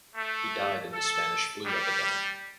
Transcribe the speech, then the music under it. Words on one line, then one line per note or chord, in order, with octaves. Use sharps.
He died in the Spanish flu epidemic.
A3
A4
G3